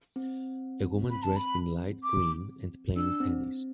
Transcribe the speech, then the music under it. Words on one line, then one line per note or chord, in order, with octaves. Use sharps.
A woman dressed in light green and playing tennis.
C4
B5
A5
B5
D6
D4 E6
C4
C4